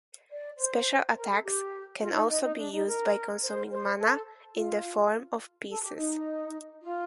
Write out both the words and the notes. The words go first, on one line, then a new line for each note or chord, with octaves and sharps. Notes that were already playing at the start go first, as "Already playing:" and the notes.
Special attacks can also be used by consuming mana in the form of pieces.
D5
C5
A#4
A4
G4
F4
D#4
D#4
D#4
D4
D#4
A#4
C5
C5
A4
F4
A4
G4
D#4
F4